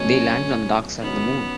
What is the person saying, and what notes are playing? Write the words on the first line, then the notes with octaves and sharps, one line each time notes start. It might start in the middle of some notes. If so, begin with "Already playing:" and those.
They landed on the dark side of the moon.
Already playing: C#2 B2 F#3 A3 C#4
F#2 D#3 F#3 B3 C#4